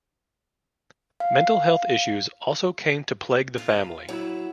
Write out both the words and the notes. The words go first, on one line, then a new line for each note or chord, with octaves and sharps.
Mental health issues also came to plague the family.
F5
F4
F#3 E4